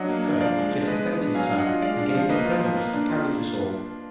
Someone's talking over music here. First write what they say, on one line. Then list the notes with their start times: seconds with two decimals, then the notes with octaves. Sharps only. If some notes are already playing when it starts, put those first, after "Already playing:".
So Jesse sent his son, and gave him presents to carry to Saul.
Already playing: F#3 D4 D#5 F#5
0.09 A#3
0.24 D4
0.40 F3 D5 F5
0.57 G#3
0.72 D4
0.88 G#3 B4 D#5
1.04 B3
1.20 D4
1.35 F#3 F5 G#5
1.47 D4 F5
1.58 D#5 F#5
1.67 F4
1.82 G#3 D5 F5
1.98 D4
2.06 D5 F5
2.15 F3
2.29 A#3 B4 D#5
2.46 F4
2.61 F3
2.77 A#3
2.93 D4
3.09 F4